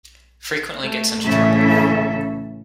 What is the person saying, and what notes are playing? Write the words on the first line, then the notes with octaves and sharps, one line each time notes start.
Frequently gets into trouble.
A3
A2 C#3 E3 C#4 A4 E5